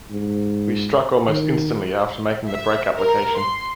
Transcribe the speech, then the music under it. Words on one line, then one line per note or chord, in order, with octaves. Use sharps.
We struck almost instantly after making the brake application.
G#2
D#3
E5
A#4
C6